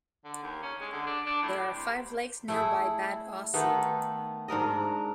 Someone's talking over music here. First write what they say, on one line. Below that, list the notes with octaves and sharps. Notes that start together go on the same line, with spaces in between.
There are five lakes nearby Bad Aussee.
D3
D#2
C#4
G#3
D3
D4
D4
A2
G3
C3
A3 E4 G#4
D#3 A3 B3
G#2 D4 A#4 D#5